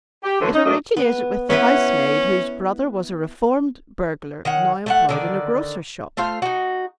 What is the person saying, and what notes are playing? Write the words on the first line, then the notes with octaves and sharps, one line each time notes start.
It originated with the housemaid whose brother was a reformed burglar now employed in a grocer's shop.
G4
D2 D3 E3 F#3 A4 C5
D#4
G#2 F#3 A3 D4 A#4 D#5
B3
B3 C#4 E4 B4
D#3 C#5 F#5
A3 D#5 F#5
D3 D#3 D5
A3 F4 C5 F5
D#4 F#4